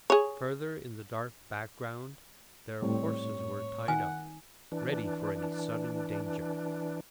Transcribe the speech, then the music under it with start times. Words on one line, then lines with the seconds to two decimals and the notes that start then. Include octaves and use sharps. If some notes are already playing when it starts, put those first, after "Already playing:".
Further in the dark background, their horses were tied up, ready for any sudden danger.
0.10 G#4 C#5
2.82 A2 G3 C4 C#5
3.88 D#3 F#5 G#5
4.72 E3 D4